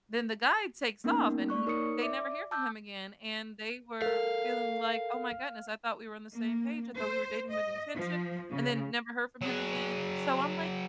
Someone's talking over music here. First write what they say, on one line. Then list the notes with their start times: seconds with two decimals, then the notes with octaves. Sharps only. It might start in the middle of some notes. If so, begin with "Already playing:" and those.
then the guy takes off and he they never hear from him again. And they were feeling like, oh my goodness, I thought we were on the same page. I thought we were dating with intention and then never heard from him again. So I'm like,
1.04 A#3 B3 C#4 D#4 A#4
1.49 A#3 D5 C#6 F#6
1.66 D#4 A#4 C#5 D#6 C#7
2.02 D5 E5 D6
2.51 A5 D6 E6 F#6 G6
4.02 A4 A#4 F5
6.33 A#3
6.97 C5
7.50 D#5
7.97 F3
8.51 C#3
9.41 F#3 G#4